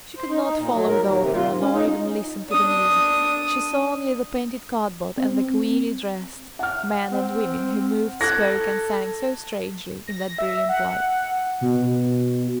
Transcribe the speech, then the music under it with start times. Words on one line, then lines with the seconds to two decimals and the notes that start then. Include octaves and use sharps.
She could not follow the opera nor even listen to the music; she saw only the painted cardboard and the queerly dressed men and women who moved, spoke, and sang so strangely in that brilliant light.
0.17 C5
0.29 D#4
0.43 D#4
0.57 A#2
0.73 F#3
0.87 A#4
1.05 D#2
1.19 C3
1.35 F4
1.47 G#2
1.60 C#4
1.73 D#4
2.50 D4 D#6
5.18 C4
6.59 F#5 F6
7.11 C4
8.21 A4 F#6 G#6 A#6
10.07 A#6
10.39 E5
10.69 F#5
11.61 B2